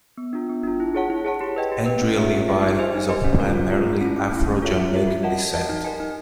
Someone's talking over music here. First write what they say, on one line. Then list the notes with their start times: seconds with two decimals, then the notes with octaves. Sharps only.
Andrea Levy is of primarily Afro-Jamaican descent.
0.17 B3
0.33 D4 F4
0.49 B3
0.64 D4 F4
0.80 E4
0.95 G#4 C#5 F#5 A5
1.10 E4
1.25 G#4 C#5 F#5 A5
1.41 G4
1.56 B4 D#5 G5
1.72 G4
1.86 B4 D#5 G5
2.02 C#4
2.17 F4 G#4 C#5 E5
2.32 C#4
2.48 F4 G#4 C#5 E5
2.63 D#4
2.78 G4 C5 D#5 G#5
2.94 D#4
3.09 G4 C5 D#5 G#5
3.24 C#4
3.40 F4 A#4
3.55 C#4
3.70 F4 A#4
3.86 A3
4.01 C#4 E4
4.17 A3
4.32 C#4 E4
4.46 C#4
4.62 F4 A4 C#5 E5
4.77 C#4
4.93 F4 A4 C#5 E5
5.07 F#4
5.23 A#4 D#5 F#5 A5
5.39 F#4
5.54 A#4 D#5 F#5 A5
5.69 D#4
5.85 G4 A#4 D#5 G#5
6.00 D#4